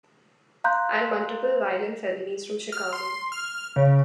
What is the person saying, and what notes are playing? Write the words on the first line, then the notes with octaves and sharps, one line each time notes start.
And multiple violent felonies from Chicago.
F5 A#5 C6 F#6 G6
F6
C6
F6
C#3